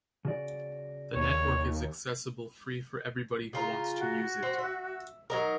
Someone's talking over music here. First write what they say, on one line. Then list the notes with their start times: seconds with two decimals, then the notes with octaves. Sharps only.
The network is accessible free for everybody who wants to use it.
0.25 C#3 F#4 D5
1.15 D#2 C#5
3.53 C#3 F4 A#5
3.99 F#4
4.43 C4
4.58 E5
5.30 F#3 D#4 A#4